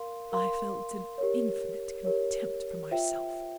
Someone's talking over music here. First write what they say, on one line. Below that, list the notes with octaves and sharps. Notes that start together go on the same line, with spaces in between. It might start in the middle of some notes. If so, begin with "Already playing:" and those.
I felt an infinite contempt for myself.
Already playing: A#4 F5 C6
A#4 F5 C6
G4 A#4 C#5
G4 A#4 C#5
F4 C5 E5 G5